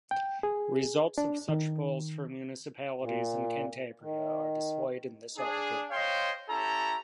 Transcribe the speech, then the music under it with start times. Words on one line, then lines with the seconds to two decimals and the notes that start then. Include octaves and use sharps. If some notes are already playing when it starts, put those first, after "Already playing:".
Results of such polls for municipalities in Cantabria are displayed in this article.
0.11 G5
0.43 G#4
1.18 D4
1.49 D#3
3.02 A#2
4.02 D#3
5.38 D4 G#4
5.91 C5 C#5 D#5 F5 G5 C6
6.50 C#4 E4 G4 A4 A#5